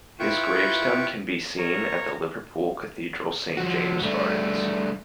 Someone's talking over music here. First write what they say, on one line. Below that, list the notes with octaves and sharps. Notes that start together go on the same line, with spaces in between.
His gravestone can be seen at the Liverpool Cathedral Saint James Gardens.
E4 F4 B4 G5 C#6
A#4 C#5
F3 F#4
G3 A3 D4